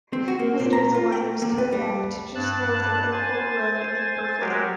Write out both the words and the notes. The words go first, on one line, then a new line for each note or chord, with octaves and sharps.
Later the line was cut back to just north of Airport Road in Berkeley.
C4
F#4
A#3
A#2
A#5
F4
G5
A#3
B4
G3
G2 A5 F#6
C5 G#5 A6
F#3 G#3 F#4 G4 A#4